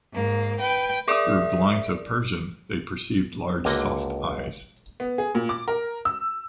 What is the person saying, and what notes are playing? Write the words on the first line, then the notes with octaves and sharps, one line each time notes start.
Through blinds of persian, they perceived large soft eyes.
G#2 A#3
B4 G5
G#4 A#4 D5 E5 D6 D#6
C#2 D3 A#3 F#4 D#5
B3
G#4
A#2
D6
A#4
E6